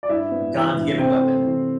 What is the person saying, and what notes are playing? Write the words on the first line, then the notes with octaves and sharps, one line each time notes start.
God's given weapon.
D5
G2 E4 E5
B3
E3
G2
C3 C4 C5
A3
E3